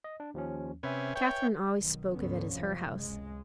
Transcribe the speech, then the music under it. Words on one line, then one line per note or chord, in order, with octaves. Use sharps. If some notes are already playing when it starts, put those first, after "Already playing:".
Catherine always spoke of it as her house.
D#5
D4
D#2 F3 C#4
C3 C#4 B4 E5 G#5
C#5 G5
B1 B2 D#3
D2 G#2 D3 B3 C#4
F#2 C3 F3
C#2 G#3